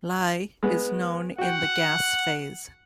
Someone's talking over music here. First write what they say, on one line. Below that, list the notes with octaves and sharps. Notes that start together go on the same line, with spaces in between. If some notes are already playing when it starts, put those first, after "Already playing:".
Li is known in the gas phase.
G#3 B3
F#4 F#5 G5